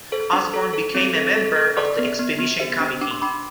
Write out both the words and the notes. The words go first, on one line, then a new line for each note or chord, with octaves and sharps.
Osborn became a member of the expedition committee.
A4 C5
D4
A4
A4
C4
A4
A4
A4
A4 B4 D5
B3
B3
B3
G4 C5 E5
D4
D4 D6
C6
D4 B5 D6